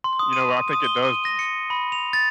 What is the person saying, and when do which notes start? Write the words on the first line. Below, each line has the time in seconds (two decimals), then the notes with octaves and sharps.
you know, I think it does s
0.04 C6
0.19 D#6
0.33 D#7
0.73 D#6
0.84 G7
1.04 D#7
1.25 A#6
1.39 C#7
1.70 B5
1.92 F7
2.13 A6